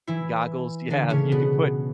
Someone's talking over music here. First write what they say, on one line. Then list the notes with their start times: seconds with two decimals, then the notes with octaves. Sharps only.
goggles Yeah you could put
0.07 E3 E4
0.90 D3 D4
1.10 C#3 C#4
1.32 B2 B3